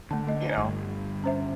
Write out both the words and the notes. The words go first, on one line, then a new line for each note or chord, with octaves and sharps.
you know,
D3 A3 A5
A3 D#5
G1
C#4 C5 E5